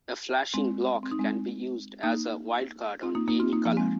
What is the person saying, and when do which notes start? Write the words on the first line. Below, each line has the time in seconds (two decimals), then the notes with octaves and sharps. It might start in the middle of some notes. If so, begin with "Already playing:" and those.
A flashing block can be used as a wildcard on any colour.
0.54 G#3 C4
1.03 C4
1.11 D#4
1.19 G#3 C4
2.03 A#3 D#4
3.03 C4 F4
3.15 A#3 D#4
3.28 A#3 D#4
3.40 C4 F4
3.53 A#3 D#4
3.65 F3 A#3
3.77 G#3 C4